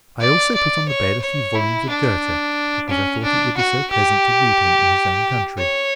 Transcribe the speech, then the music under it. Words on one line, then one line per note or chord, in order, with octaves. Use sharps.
I also put on the bed a few volumes of Goethe, because I thought it would be so pleasant to read him in his own country.
D5
D5
C#5
C#5
E4
D4
C#4
D4
F#4
G4
C#5